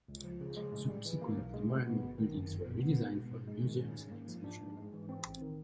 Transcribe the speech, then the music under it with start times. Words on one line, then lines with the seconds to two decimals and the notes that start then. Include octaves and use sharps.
Subsequently, more and more buildings were redesigned for museums and exhibition.
0.08 C#2
0.24 F3
0.41 C#3
0.57 G#3
0.72 A2
0.89 G3
1.05 E3
1.22 A#3
1.38 B1
1.54 G#3
1.70 B2
1.86 B3
2.02 G1
2.18 D#3
2.34 F#2
2.50 G1
2.67 B2
2.83 B3
2.99 G#3
3.15 B2
3.32 G#2
3.48 G#3
3.64 D#3
3.80 C#4
3.96 G#2
4.12 A#3
4.28 F3
4.44 D4
4.61 G#2
4.77 G#3
4.93 E3
5.09 C4
5.25 A1
5.42 D#3